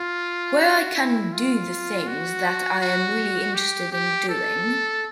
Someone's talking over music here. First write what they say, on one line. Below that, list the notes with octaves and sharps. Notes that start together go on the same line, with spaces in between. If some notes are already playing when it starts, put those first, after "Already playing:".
Where I can do the things that I am really interested in doing?
Already playing: F4
F#4
E4
F4
F#4
F#4
G4
G4
A4